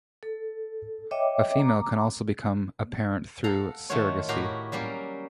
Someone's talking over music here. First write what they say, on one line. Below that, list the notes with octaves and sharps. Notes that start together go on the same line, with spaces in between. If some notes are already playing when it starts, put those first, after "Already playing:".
A female can also become a parent through surrogacy.
A4
C#5 D#5 E5 G5 D6
A#5 D6
A4 F5 F#5 A#5
D#3 A3 F4 F#4 C#5
A2 F#4 G4 A#4 F5 A#5
F#3 G3 A#3 C#4